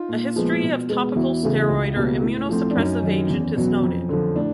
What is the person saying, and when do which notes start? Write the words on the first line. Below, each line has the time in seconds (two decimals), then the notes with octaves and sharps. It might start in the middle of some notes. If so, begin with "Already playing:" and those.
A history of topical steroid or immunosuppressive agent is noted.
Already playing: D#4 F4
0.09 A#2
0.36 F3 G#3 B3
0.63 B2
0.89 G#3 B3
1.16 E2 E4 F#4
1.43 C#3 E3 A3
1.70 C#2
1.96 B2 G3 A#3
2.23 A2
2.49 F3 A3 C4
2.71 D4
2.76 F#2 C#4 D#4
3.03 D#3 F#3
3.30 E2
3.56 B2 F#3
3.83 F2
4.09 D3 F3
4.36 A2 D4